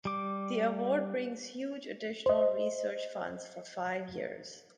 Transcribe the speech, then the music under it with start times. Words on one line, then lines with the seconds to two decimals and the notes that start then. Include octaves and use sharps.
The award brings huge additional research funds for five years.
0.05 G3 D6
2.26 C5 D#5